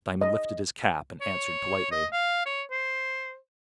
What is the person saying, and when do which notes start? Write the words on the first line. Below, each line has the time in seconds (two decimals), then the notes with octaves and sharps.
Diamond lifted his cap, and answered politely.
0.21 D#5
1.21 C#5
1.92 D#5
2.12 F5
2.46 C#5
2.71 C5